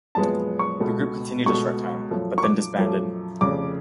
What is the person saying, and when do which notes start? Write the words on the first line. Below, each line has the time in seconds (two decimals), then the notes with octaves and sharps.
The group continued a short time, but then disbanded.
0.15 F#1 F#2 F3 G#3 B3 A5
0.59 C#6
0.80 C#2 B2 A3
1.46 C#2 B2 A3 C#6
2.11 F#2 F3 A3
2.38 C#6
2.43 D6
2.77 F#2 F3 A3
3.41 F1 F2 C#3 D6